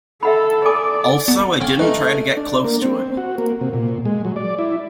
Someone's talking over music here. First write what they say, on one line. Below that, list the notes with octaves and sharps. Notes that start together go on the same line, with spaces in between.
Also I didn't try to get close to him.
A4 E5 F#5 B5
A4 D5 G#5 D6
B3 A5
D3 C#4 F4 G5
A3 D#4 B4
D4
A#3
C4
F#4
A#3
C3
A#2
G#3
F#3
D5
E4